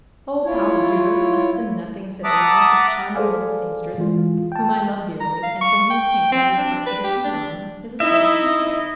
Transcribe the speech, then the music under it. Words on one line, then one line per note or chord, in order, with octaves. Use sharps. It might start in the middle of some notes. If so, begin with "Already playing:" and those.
"Oh, pardieu, less than nothing," said Aramis; "a charming little seamstress, whom I love dearly and from whose hand I requested a few lines as a sort of keepsake."
E4 F4 C#5
E5 F#5 A5 A#5 D6 D#6
G#4 A4 C5 D5 F5 G#5
E3 G#3 F4
G5 A5
A#5
F5
C#6
G5
C4
D4
B4
G4
D4
D#4 E4 D#5 E5